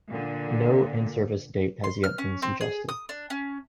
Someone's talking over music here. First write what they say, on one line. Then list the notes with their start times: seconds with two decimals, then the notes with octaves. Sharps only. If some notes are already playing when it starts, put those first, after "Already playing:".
No in-service date has yet been suggested.
0.10 A#2 D3
1.84 C6
2.04 F6
2.18 C#4
2.42 C4
2.61 G#4
2.89 D#6
3.09 D4
3.30 C#4